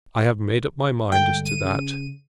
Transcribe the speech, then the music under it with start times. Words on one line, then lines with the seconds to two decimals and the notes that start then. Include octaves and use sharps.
I have made up my mind as to that.
1.12 G2 D3 G#3 G5
1.45 D#7
1.65 C#3